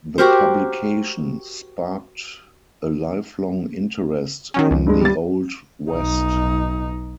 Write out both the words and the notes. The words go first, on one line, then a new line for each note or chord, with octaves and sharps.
The publication sparked a lifelong interest in the Old West.
F#4 G4 A#4 C5
D#3 F#3 C#4
C#2
G2 G#3
G3 A6
B1 D#4